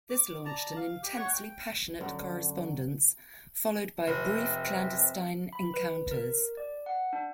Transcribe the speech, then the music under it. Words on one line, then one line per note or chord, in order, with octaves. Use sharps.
This launched an intensely passionate correspondence, followed by brief clandestine encounters.
D6
D5 A5 A#5
F5
G4
C#5 F#5 C#6
G5
F#2 D3
F1 C4 E5
B5
B4
A#4
D5
F#5
D4